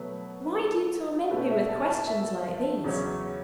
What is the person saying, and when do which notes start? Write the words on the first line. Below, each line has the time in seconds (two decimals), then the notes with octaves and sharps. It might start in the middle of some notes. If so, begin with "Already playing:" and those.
Why do you torment me with questions like these?
Already playing: B2 F#3 A3 B4
0.54 A4
1.31 B2 A3 C#4 B4
1.51 E5
1.69 A5
1.88 A5
2.07 E5
2.84 E2 C#3 F#3 C#4